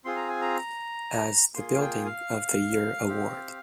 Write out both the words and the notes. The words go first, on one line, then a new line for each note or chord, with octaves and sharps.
As the Building of the Year Award.
C4 F4 G#4 C6
A#5
G#5
A#5
A#3 F4 G#4 C6
F5
G5
F5
C4 G4